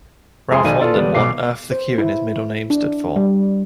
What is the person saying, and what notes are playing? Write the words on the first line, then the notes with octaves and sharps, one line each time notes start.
Ralph wondered what on earth the Q in his middle name stood for.
F2 G#3 G#5 C6 D#6
B1 D#3 D5 G#5 D#7
F4 A4 B4 D5
E1 G3 B3 D5
B1 B2 D6 C7
C5
E4
D4
G3